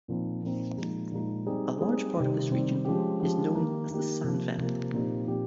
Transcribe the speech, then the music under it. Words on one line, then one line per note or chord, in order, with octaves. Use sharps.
A large part of this region is known as the "Sandveld".
A#2 F3 C4 D#4
A#2 F3 C4 D#4
A#2 F3 G#3 D#4
A#2 F3 G#3 D#4
G3 C4 D#4 G#4
G3 C4 D#4 G#4
C3 D#3 G3 C4
C3 D#3 G3 C4
F3 G#3 C#4 G4
F3 G#3 C#4 G4
D#3 A#3 D#4 G4
D#3 A#3 D#4 G4
C3 F3 A#3
C3 F3 A#3
A#2 F3 C4 D#4 G4
A#2 F3 C4 D#4 G4